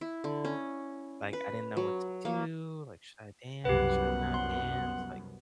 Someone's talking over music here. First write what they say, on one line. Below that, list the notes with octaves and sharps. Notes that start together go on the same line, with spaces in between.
like, I didn't know what to do, like, "Should I dance? Should I not dance? Like,
E4
D3
C#4
B4
F#3
A#3
C2 F#2 B3 G4 B4 F#5
C6